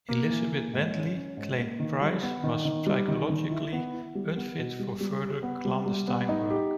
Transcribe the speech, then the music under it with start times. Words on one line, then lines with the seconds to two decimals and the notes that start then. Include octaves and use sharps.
Elizabeth Bentley claimed Price was psychologically unfit for further clandestine work.
0.09 A#3
0.30 E3
0.52 A#3
0.73 G#2
0.94 C#4
1.16 C#4
1.37 G#2
1.59 A#3
1.80 D#3
2.01 G3
2.23 B3
2.44 D#3
2.65 D#3
2.87 G3
3.08 D#3
3.30 D#3
3.51 E4
3.73 B3
3.94 E4
4.15 G3
4.36 B3
4.58 B2
4.80 G3
5.01 G3
5.22 G4
5.43 B3
5.65 G3
5.86 G3
6.08 B3
6.29 D#4
6.50 G4